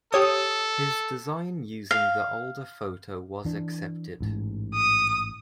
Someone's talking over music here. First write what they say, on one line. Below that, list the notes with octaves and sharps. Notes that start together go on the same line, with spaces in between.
His design using the older photo was accepted.
G4 A4 C#5 D#6
F5
E3 D4
A1 G#2
D#6